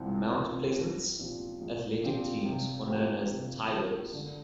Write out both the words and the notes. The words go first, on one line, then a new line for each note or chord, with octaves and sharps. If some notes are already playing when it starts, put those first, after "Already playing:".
Mount Pleasant's athletic teams are known as the "Tigers".
Already playing: C2 C3 F3 C4
C3 F3 C4 A#4
A#1
A#2 F3 C4 G4
A#1
A#2 F3 C4 G4
C3
F3 A#3 G4
C3
F3 A#3 G4
D3